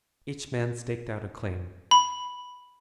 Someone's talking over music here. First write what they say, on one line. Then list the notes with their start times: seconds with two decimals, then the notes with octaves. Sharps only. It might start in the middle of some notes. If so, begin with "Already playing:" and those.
Each man staked out a claim.
1.91 B5